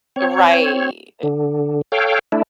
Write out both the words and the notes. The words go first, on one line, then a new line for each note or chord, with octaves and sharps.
Right, eh
C4 C#5
D3
A4 C#5 F5 G5
A3 D4 E4